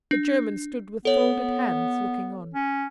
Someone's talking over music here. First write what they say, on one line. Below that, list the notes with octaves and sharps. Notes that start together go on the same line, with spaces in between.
The German stood with folded hands looking on.
D4
B3 A4 C#5
C#4